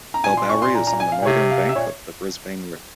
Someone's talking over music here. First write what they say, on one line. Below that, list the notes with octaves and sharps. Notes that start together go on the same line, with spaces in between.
Bellbowrie is on the northern bank of the Brisbane River.
A#5
A#2 G#5
C6
C#6
C6
A#5
A#5
G#5
F5
A#2
C3 C#5
F5
E5
A#2 C#5